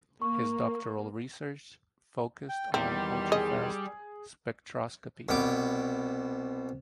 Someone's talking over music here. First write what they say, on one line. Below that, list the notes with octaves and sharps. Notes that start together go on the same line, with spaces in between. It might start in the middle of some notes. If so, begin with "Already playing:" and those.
His doctoral research focussed on ultrafast spectroscopy.
A#3 C#6
G5
E2 D#3 G3 C4 C6
G#4 D#5
C2 B2 D6